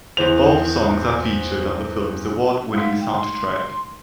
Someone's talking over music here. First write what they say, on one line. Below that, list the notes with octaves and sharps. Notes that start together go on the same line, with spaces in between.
Both songs are featured on the film's award-winning soundtrack.
E2 E3 C5 F7
G#3 A3 D#4
G5
C6